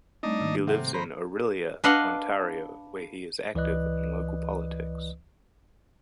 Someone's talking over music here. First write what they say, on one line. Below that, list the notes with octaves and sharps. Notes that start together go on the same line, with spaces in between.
He lives in Orillia, Ontario, where he is active in local politics.
G3 A3 C4 D4 D#4 D#5
G#2 D#3 A#3
C3 A4 E5 F#5
C5 A#5 B5
D4 B4 D#5 F5 F#5
C#2 E3 B4 D5 D#5 F#6